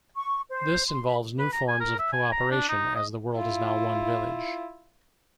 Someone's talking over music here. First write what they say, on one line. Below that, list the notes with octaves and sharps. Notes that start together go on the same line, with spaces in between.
This involves new forms of cooperation as the world is now one village.
C#6
C5
C6
B5
B4
A#5
G#5
A#4
E5
G#5
A#5
D4
D#4
D#5
E4 F4